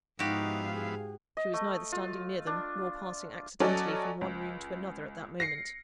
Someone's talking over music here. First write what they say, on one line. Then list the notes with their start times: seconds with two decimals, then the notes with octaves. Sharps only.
She was neither standing near them, nor passing accidentally from one room to another at that moment.
0.19 G#2 F3 B3 D#4 E4 F#4 G4 F5
0.73 G#4
1.37 D#5
1.53 A3
1.92 F4
2.47 D4
3.60 F#3 C#4 A4 D5 D#5
4.21 C#2
5.40 A#6 C7 C#7